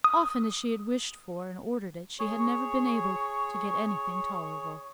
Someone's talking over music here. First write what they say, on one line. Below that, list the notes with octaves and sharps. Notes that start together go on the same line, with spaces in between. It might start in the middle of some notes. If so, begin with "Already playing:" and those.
Often as she had wished for and ordered it, she had never been able to get anything tolerable.
D#6
G#4 C#5 C#6